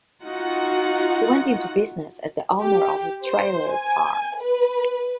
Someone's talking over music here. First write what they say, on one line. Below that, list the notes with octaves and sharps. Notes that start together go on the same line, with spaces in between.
He went into business as the owner of a trailer park.
D#4 F4 F#4 F#5
G4
C5
G#5
B4